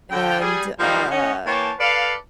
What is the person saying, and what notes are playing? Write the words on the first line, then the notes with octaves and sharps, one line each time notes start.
And, uh,
D3 G5
G3 G#4
F3 G3 G#3 A#3 C4 D#4
C#4 D#5
E3 A#3 C#5 G5 A5
A4 B4 D5 F5